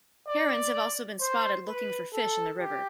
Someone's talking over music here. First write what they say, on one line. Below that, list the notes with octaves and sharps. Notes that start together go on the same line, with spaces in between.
Herons have also been spotted looking for fish in the river.
D5
C5
B4
A4
G4